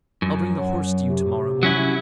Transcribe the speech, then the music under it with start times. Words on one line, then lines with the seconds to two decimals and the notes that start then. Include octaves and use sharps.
I'll bring the horse to you to- morrow morning.'
0.22 F#2
0.55 F#3
1.04 C3
1.63 F#3 C#4 E4